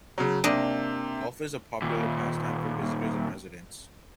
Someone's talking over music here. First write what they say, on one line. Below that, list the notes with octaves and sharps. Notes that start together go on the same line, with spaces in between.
Golf is a popular pastime for visitors and residents.
C#3 F#3
C3 A#3 D4 D#5
D#2 A#2